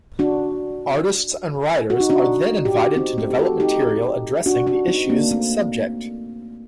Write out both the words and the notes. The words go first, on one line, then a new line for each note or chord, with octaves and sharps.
Artists and writers are then invited to develop material addressing the issue's subject.
D4 F#4
F#4
D#4
D4 F#4
G4
D4 F#4
C4 D#4
A3 C4
G4
F#4 A4
D#4 G4
D4 F#4
D4 F#4
C4 D#4
A#3 D4
A3 C4